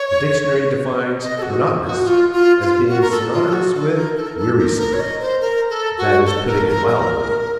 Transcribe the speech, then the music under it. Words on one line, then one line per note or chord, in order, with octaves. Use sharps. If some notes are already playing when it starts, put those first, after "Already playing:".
The dictionary defines "monotonous" as being synonymous with "wearisome." That is putting it mildly.
Already playing: C#5
D#5
A4
F#4
F#4
F4
F4
F4
F#4
A#4
A4
F4
A4
F#4
A4
A#4
A4
A#4
A4
A#4
A#4
C#5
D#5
C5
A#4
A4
F#4
A4
A#4
A#4
A#4